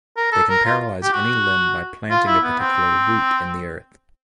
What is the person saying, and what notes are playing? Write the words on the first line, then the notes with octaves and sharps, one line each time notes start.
They can paralyze any limb by planting a particular root in the earth.
A#4
A4
A#4
F4
G4
F#4
F4
E4
B3
C4